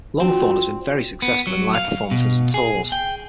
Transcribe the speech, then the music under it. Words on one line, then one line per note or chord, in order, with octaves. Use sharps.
Longthorne has been very successful in live performances and tours.
F3 C4 D4 F#4
B3
F#3
F5
B2
G#4
G5